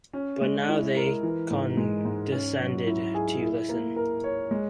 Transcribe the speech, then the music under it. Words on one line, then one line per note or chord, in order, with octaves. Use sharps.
But now they condescended to listen.
C#4
G#3
E4
A#4
E3
G#2
G#3
G#2
C#4
F#3
E4
G#4
E4
A#3
A#4
C#5
G#3